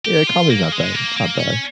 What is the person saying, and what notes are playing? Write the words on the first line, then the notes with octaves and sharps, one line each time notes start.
Yeah, comedy's not bad, it's not bad.
G4
F4
A#3
G#3
A#3
A#3
C#4